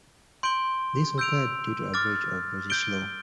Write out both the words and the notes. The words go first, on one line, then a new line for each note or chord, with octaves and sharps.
This occurred due to a breach of British law.
C6 G6 D7 G7
E6 G6 D7 F7
D6 F6 A6
G6 D7 G7